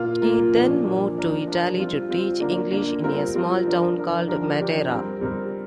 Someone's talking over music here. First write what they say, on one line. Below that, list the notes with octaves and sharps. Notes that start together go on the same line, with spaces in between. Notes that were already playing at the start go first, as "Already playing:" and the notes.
He then moved to Italy to teach English in a small town called Matera.
Already playing: A#2 A#3 F4 A#4
A#2 A#3 F4 A#4
A#2 F3 A#3 D4
A#2 F3 A#3 D4
F3 D4 A#4
F3 D4 A#4
G3 C4 F4
G3 C4 F4
D3 A#3 D4 A#4
D3 A#3 D4 A#4
G3 C4 F4 A#4
G3 C4 F4 A#4
F3 D4 A#4
F3 D4 A#4
D3 F3 D4 G4 A#4
D3 F3 D4 G4 A#4
G3 C4 A#4
G3 C4 A#4